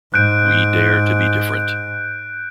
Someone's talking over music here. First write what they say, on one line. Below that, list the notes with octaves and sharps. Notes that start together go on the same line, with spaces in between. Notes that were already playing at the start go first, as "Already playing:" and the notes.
We Dare to Be Different.
G#2 F#6 G6 D7